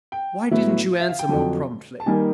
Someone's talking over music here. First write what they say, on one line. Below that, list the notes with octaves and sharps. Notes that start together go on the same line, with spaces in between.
Why didn't you answer more promptly?
G5
A2 F#3 B3 E4
E5
F5
G5
F2 D3 F#3
A5
D#3 G3 A#3 D#4 G#5